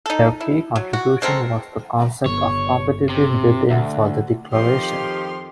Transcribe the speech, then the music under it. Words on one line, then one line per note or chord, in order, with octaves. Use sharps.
Their key contribution was the concept of competitive bidding for the declaration.
D#4 A4
E4
F#3
F#4
G#3 C4 A4 A#4
G1 C#5
C3
D2 E5 F#5
F2 D#3 F3 G4 C6 F6